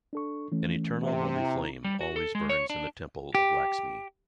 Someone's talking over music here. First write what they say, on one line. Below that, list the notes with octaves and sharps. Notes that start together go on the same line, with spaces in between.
An eternal holy flame always burns in the temple of Laxmi.
D4 A4 C#6
E3 A3 C#4
C3
E4 A#5
G3
F#4
A4
G#3
C#5
D4
G4